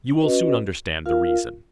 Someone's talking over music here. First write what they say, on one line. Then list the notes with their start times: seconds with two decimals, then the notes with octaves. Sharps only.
You will soon understand the reason.
0.20 C#4 F#4 B4 D#5
1.06 F4 A#4 F5